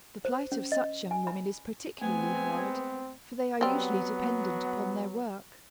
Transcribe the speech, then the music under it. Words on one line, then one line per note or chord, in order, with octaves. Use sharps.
The plight of such young women is particularly hard, for they are usually dependent upon their work.
C5
C#4
D#5
G#5
B5
G#3 A3 B3 C4 G#5
F#3 G3 B3 C4